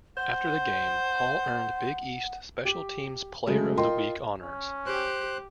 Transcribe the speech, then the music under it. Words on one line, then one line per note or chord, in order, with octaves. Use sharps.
After the game, Hall earned Big East Special Teams Player of the Week honors.
C5 F#5
G4
C#3 F#3 G#3 A3
F4 A#4 D#5 G5 C6
C#4
G4 C5 F#6